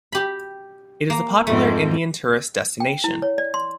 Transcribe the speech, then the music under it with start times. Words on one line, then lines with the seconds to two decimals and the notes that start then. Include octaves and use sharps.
It is a popular Indian tourist destination.
0.12 G4 B5
1.10 A#3
1.47 F2 G#2 A3 C4
2.80 G5
3.04 E4
3.22 C#5
3.38 D5
3.54 C6